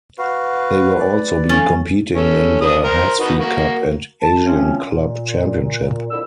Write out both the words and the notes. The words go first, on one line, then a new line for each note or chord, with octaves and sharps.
They were also be competing in the Hazfi Cup and Asian Club Championship.
F#4 B4 F5
D5
F3 C#4 A4 A6
C#4 A4
D4 B4 D#6
A#4 C5
D#4 F#4 B4
A#3 F#4
A5
F3 F#3 A3 C4 C#4
A#2
F2 A#2 D3 E4 E6